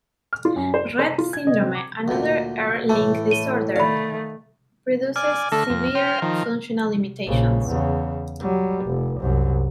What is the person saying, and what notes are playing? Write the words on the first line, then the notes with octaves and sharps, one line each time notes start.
Rett syndrome, another X-linked disorder, produces severe functional limitations.
F6
F4
F#2
C5
D#7
C5
F4
G#6
D#5
C4
D6
D2 A#2
A2 E3 A3 A5
D#7 G7
D#3 A3 D5 F5 B5
D5 G#5 F6
D3 A3 A4 A#6
F2
C5 G5 F6
D#3 F3
A#1 C#3
E2 C#3
F#3 G3
F1
C2 F#2